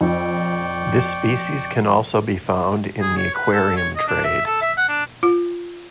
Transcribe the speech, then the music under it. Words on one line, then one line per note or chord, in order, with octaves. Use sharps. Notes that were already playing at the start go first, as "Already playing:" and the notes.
This species can also be found in the aquarium trade.
F2 D5 G5 C#6
G#4
C#5
B4
A4
C#5
D#5
D4
E5
A4
E5
F#5
D4
F4